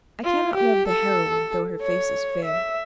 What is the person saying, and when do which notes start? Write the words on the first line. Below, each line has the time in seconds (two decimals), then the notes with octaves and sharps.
I cannot love the heroine, though her face is fair.
0.24 F4
0.55 G4
0.87 A4
1.81 C#5
2.44 E5